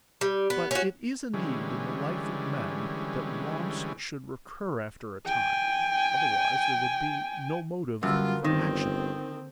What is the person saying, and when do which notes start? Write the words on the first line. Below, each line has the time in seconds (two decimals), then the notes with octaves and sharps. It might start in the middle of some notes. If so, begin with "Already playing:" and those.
But it is a need in the life of men that wants should recur after a time, otherwise there would be no motive for action.
0.21 G3
0.50 B3
0.71 C#4 F#4
1.34 D3 E3 G3 G#3 C#4
5.26 G5 G#5
8.03 F#2 D3 G3 A#3 F4 B4
8.44 G1 D#3 C4